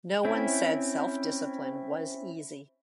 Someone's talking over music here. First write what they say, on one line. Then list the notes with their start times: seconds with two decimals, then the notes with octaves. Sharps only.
No one said self-discipline was easy.
0.25 C4 C#4 E4